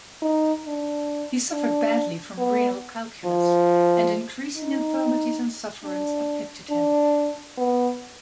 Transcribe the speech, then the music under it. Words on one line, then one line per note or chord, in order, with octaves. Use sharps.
He suffered badly from renal calculus, and increasing infirmities and sufferings afflicted him.
D#4
D4
D4
B3
F3
D#4
D4
D4
B3